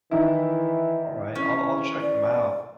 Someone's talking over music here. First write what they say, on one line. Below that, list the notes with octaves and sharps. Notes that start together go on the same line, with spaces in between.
Alright, I'll I'll check them out.
D#3 E3 E4
E3 C#4
D5